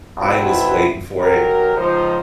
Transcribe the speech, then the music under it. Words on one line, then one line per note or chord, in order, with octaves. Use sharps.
I was waiting for it.
B2 F#3 A3 B3 C4 E4
B1 F#3 G4 A#4
C#2 F3 D#4 C5